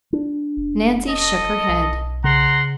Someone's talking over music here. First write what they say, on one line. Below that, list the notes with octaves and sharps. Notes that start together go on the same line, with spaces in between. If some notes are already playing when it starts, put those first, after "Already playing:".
Nancy shook her head.
D4
F1
A4 D#5
B1
C#3 F#5 A#5 C6